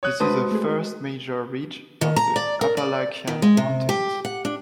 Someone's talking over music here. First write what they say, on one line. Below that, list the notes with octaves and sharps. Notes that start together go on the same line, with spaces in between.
This is the first major ridge of the Appalachian mountains.
C#5 D#6 F#6
G#3 A3 D4 F#4 B4 C5 A5 D#6
A3 G#4
D#3
A#5
D5
A#4
D5
D#3
G#3
C3
G4
F#5
D4